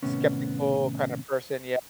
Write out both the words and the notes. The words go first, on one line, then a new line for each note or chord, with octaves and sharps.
skeptical, kinda person yeah,
D#2 A2 C3 B3 C#4